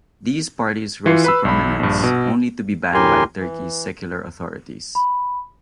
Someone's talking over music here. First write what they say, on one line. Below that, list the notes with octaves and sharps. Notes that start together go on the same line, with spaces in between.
These parties rose to prominence only to be banned by Turkey's secular authorities.
E3 E4 F4 C7 C#7
B4 B5 E6
B1 B5
A#1 G2
B2
D2 A2 G4 A#4 G#5 C6
E3
B5